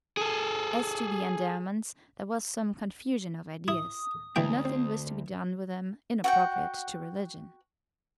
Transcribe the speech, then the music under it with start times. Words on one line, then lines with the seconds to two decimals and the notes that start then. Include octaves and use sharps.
As to the endowments, there was some confusion of ideas; but nothing was to be done with them inappropriate to religion.
0.17 G#4 A4
3.68 E4 D#6
4.36 D2 D3 E3 G#3 A#3 G5
4.65 C4 C5
6.24 F#4 F#5 G5